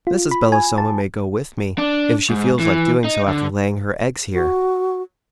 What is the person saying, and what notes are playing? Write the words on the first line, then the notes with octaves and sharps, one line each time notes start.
Mrs. Belostoma may go with me, if she feels like doing so after laying her eggs here.
F4
B5
G#5
A5
D4
G#2
E3
D#4
D3
F#4